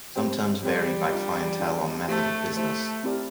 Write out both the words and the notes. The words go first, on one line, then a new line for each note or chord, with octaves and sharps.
Some terms vary by clientele or method of business.
C4 G4 C5 G5
G3 C4 G4 C5 G5
D4 F4 A#4
D4 F4 A#4
A3 E4 G4 C5 E5
A3 E4 G4 C5 E5
C4 E4 G4 A#4 D5